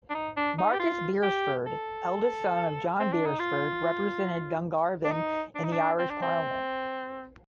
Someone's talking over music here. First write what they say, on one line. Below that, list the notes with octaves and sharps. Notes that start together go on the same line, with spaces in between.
Marcus Beresford, eldest son of John Beresford, represented Dungarvan in the Irish Parliament.
D4
D#4
D4
D#4
G4
F4
G4
A4
C4
D4
D#4
F4
D4
D#4
D4
D#4
D4
C4
D4
C4